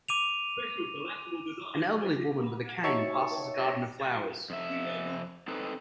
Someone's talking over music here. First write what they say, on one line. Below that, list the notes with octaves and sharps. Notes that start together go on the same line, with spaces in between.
An elderly woman with a cane passes a garden of flowers.
D6 D#7 F7
D#4 F#4 C#5 E5 A5 C#6
F2 E5
C4 D#4 A4 B4